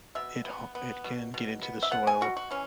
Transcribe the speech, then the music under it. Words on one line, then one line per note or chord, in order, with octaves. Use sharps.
it ha it can get into the soil,
B2 E5
B3
B3
B2
B2
B3
E5
B3 F#5
G#5
B2 F#4
F#4
E3 C#4